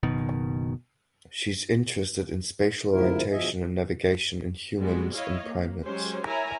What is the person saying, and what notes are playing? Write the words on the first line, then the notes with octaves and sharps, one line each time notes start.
She is interested in spatial orientation and navigation in humans and primates.
F#1 B2 D#3
D2 G#2 C3 F3 E4 A#4
E2 B2 F3 D#5 E5 G#5
G3 G#3 B3 F#4
E4 C#5 D#5 F5
A#3
F#3 G#3 C#4 G4 G#4 C5
E4 A#4 C#5 E5 G#5 A#5